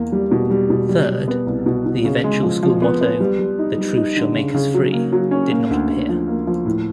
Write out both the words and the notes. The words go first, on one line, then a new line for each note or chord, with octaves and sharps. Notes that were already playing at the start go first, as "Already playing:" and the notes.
Third, the eventual school motto, "The Truth Shall Make Us Free" did not appear.
Already playing: E2 A#3
G3
B2
G3
B2
G3
G3
B3
C2
B2
B2
C#3
G#3
F3
F3
B3
B3
G3
G3
D#4
G3
D#4
D3
C#3
C#3
F#3
A#3
F#3
C#4
A#3
D2
D2
F3
A#3
F3
A2